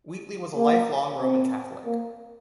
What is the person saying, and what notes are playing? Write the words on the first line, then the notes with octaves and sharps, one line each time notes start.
Wheatley was a lifelong Roman Catholic.
A#3
C4
A#3